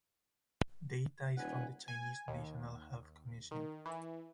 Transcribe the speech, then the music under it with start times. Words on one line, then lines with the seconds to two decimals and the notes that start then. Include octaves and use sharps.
Data is from the Chinese National Health Commission.
1.37 D#1 B4 F#5 G#5
1.88 G#5
2.28 D#2
3.51 D#3
3.86 E3